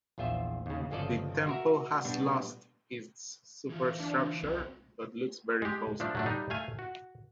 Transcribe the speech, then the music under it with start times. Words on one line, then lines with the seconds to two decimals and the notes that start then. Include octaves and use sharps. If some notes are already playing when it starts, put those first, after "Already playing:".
The temple has lost its superstructure but looks very imposing.
0.18 A#1 E2 F4 C5 E5
0.66 D#2 C#3
0.91 G1 C#3 F3 A4 D5 D#5
1.47 F#4 A#4 E5
2.05 B2 G3 D4 F#4
3.69 E3 F4
4.00 D4
4.43 C2 C4 F#4
5.62 G#3 G4
6.00 F3 A3 D4
6.15 F#3 A3 D4
6.26 G3 D#4
6.50 A3 F5 G#5
6.79 F#4